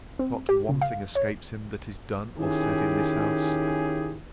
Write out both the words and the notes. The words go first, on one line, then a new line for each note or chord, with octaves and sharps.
Not one thing escapes him that is done or said in this house.
C4
G4
C#3
F5
C#5
D#3 C#4 E4 G4 G#4